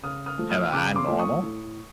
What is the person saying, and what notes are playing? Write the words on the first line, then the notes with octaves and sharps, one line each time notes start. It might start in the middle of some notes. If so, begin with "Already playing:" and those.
Am I Normal?
C#3 D#6 F6
D#6 F6
F3 A3
D#6 F6
C#3 D6 E6
C6 D6
F3 A3
C#6 D#6
A2